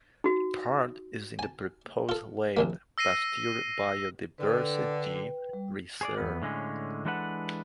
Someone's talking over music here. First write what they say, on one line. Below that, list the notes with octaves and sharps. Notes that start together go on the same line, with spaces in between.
Part is in the proposed Lake Pasteur Biodiversity Reserve.
D#4 F#4
G#5 A5
F4 A4
A#1 D#2 A#3
E6 A#6 C7 D#7
D3 B4 G5
G3
G#4 C#5 D5
E2 B3
A2 D3 G#3 C#4
E3 G#3 D4 A4 B4 F#5